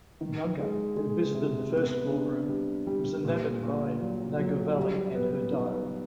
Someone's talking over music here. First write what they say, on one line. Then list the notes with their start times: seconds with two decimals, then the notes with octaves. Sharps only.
Ganga who visited the first floor room was enamoured by Nagavalli and her diary.
0.21 D#3
0.59 G#3
0.97 G#3
1.35 C3
1.72 B3
2.11 D4
2.49 G3
2.87 G3
3.25 A#2
3.63 A#2
4.01 F#3
4.39 F#3
4.77 G3
5.15 B3
5.53 D#4